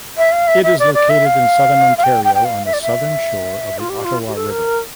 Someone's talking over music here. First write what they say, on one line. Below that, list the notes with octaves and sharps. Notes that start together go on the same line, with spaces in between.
It is located in Southern Ontario on the southern shore of the Ottawa River.
E5
F5
E5
E5
D5
D5
E5
F5
F5
G5
G5
G5
F5
E5
D5
E5
F4
G4
F4
G4
A4
A#4